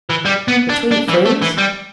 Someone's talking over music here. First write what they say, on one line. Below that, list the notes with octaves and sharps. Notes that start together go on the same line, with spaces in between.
Between friends?
E3
G3
B3
D4
D4
E3
A3
E3
G3